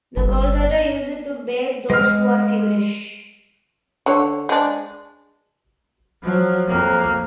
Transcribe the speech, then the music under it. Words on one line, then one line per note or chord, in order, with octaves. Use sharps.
The Coushatta use it to bathe those who are feverish.
G1
G#3 F6
D3 C#5
G#3 D4
F3 F#3
F2 A#3